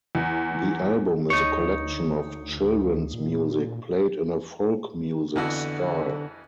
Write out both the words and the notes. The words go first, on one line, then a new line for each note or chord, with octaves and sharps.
The album is a collection of children's music played in a folk music style.
E2
D2 D#4 C#5
A#2
F2 D3 E3 B3 F#4